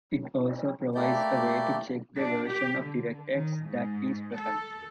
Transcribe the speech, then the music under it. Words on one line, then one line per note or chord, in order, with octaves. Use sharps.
It also provides a way to check the version of DirectX that is present.
A3 A#3 E4 G4 D5 G6
D4
G4
D3
D#3
G#2
A4